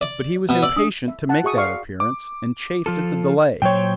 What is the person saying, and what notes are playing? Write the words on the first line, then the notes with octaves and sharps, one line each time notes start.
But he was impatient to make that appearance, and chafed at the delay.
D5
B2
D5 E6 F#7
D4 D#6
E5
F#5 A5
F#4 G#4 E5 C#6 D#6
D5 F5 C#6
D6
F3 F4 A4
A#2 F#3 C5 C#5 G5